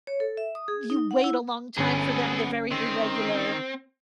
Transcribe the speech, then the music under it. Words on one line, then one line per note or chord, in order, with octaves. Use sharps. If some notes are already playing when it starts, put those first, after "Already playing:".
you wait a long time for them, they're very irregular,
C#5
A4
E5
D#6
G#4
D#4
F#5
E4
G1 D2 B3 C#4 G#4 A4
D#3 C4